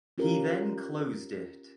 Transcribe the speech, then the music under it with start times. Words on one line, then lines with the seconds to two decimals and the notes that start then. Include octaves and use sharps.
He then closed it.
0.18 C#4 F4 G4 A#4